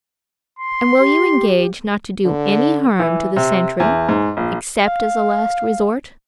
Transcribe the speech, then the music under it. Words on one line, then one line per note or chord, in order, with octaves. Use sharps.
"And will you engage not to do any harm to the sentry, except as a last resort?"
C6
G4
D3
E3
C3
E2
G#2
A#1
F5